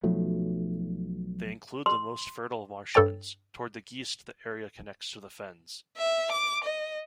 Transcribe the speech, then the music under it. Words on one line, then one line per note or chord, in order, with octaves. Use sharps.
They include the most fertile marshlands; towards the geest the area connects to fens.
B1 F3 F#3 A3
C6
G2 A4 C#5 G5 A6
E5
D6
D#5